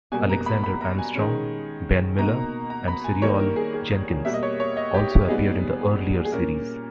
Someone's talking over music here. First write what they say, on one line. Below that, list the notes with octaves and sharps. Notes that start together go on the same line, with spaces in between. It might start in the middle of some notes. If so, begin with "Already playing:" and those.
Alexander Armstrong, Ben Miller and Siriol Jenkins also appeared in the earlier series.
B2 G3 A#3 G#5
A#5
B5
B5
A#5
G#5
D#3 G#3 C#4
B2 A#3 D#4 A#5
A#5
B5
G#5
D#3 G3 A#3 C#5
A#4
G#4
G#4
B2 G3 A#3 E5
D#5
C#5
C#5
D#5
G4
G4
A#2 G3 B3 D#4 G#4
G#4
G#4
A#2 A#3 C#4 A#4